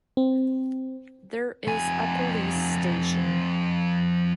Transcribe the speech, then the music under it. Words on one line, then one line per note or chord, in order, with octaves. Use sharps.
There is a Police Station.
C4
F2 G#5